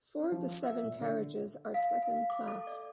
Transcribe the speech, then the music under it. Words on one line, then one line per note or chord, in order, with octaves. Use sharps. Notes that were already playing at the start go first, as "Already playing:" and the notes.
Four of the seven carriages are second class.
C#4
F3
E5
A#2
D3
F5
F5
D6
A4
D5